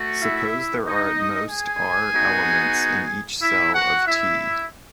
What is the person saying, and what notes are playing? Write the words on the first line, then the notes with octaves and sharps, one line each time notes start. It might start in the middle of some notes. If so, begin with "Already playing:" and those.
Suppose there are at most "R" elements in each cell of "T".
Already playing: A3 F#4
E4 E5
D#4 D#5
G#4 G#5
B3 D#4 F#4
E4 E5
F#4 F#5
E4 E5